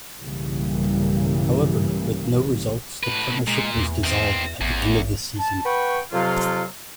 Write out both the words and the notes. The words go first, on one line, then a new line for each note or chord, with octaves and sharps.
However, with no results, the partnership was dissolved at the end of the season.
B1 G2 C#3 E3 G3 A#3
A2 B4
A#2 G#3
E2
D#3 C4
A1 E2
A5
B4 F#5 G5 B5 C#6
F2 C3 F#3 F4